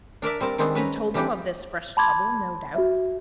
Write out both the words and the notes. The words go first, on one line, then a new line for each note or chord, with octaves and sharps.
"You've told them of this fresh trouble, no doubt."
D4 A#4 D5 E5
G3 C4 A#4 A5
D#3 G3 G#3 B3 C4 D4
C#4 B4 A#5
E3 G3 A3 D4 G4
A5 B5 C6 D6 G#6
F#4 E5